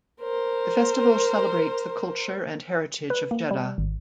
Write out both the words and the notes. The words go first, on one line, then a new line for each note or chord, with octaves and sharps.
The festival celebrates the culture and heritage of Jeddah.
A#4 C5
B4
A#3
G3
G#1